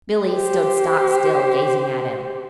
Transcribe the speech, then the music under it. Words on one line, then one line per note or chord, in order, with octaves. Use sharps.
Billie stood stock still, gazing at him.
G4 C5